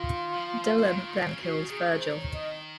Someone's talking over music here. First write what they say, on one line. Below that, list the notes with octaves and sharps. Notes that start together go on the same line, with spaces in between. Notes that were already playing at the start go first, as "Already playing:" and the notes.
Dylan then kills Virgil.
Already playing: D#3 F4
F3
D#3
C#3
C#3 F#4
D#3 G#4
C5
C#5
D#5